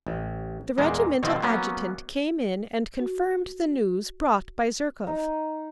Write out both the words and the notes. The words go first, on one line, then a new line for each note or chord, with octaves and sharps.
The regimental adjutant came in and confirmed the news brought by Zherkov.
A1
E2 A#2 G#3 A#3
B2 D3 D#3 F3 C4
F#3 A#3 B3 C#4
F#4
D#4